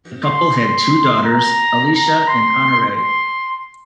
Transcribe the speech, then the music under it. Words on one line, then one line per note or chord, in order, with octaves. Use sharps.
The couple had two daughters, Alicia and Honoree.
C6
C6
A#5
A#5
C6
C6